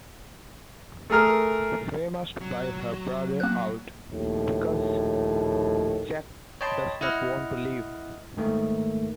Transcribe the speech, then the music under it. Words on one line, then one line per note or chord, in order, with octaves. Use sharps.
Fay must buy her brother out, because Jack does not want to leave.
A3 G#4 A#4 F6
F#3
A#3 F#6
A#1 D#2 A2
C#5 D#5 G5 A5 B5 C6
E4 D#5 F#5 F6
G#2 D#3 A3 A#3